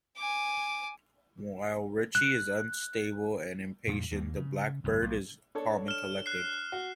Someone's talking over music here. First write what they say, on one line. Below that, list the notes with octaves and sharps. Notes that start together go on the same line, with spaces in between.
While Richie is unstable and impatient, the Blackbird is calm and collected.
G#5 D6
F#6
F2 A#2 G3
D#2 A#3
C#3
G1 C2 G2
B1
D4 A4 C#5
F6 E7
F#6 C7
F#4